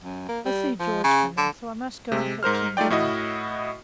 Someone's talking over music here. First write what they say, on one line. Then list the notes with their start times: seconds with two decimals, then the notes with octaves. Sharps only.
'I see George coming, so I must go and fetch in dinner.
0.04 F#2
0.28 A#3
0.45 G3
0.79 F3
1.04 C#3
1.38 D3
2.12 C3 G#3
2.43 G#2 A#4 C5 F6
2.77 A3 D#4 F4 D5 G5
2.90 A2 E4 F#4 D#5 D#6